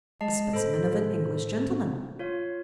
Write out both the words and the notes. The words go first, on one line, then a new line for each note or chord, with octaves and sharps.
"A specimen of an English gentleman."
G#3 D#5 A5 C7
A2 A4 C5 B5
F4 C#5 F5